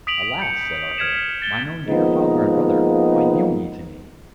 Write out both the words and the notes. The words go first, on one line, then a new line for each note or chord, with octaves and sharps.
"Alas," said Arthur, "mine own dear father and brother, why kneel ye to me?"
D#6 B6 D7 F7 F#7
G6 C#7
F6 G#6 B6 E7
A6 G7
F3 G#3 A#3 B3 D#4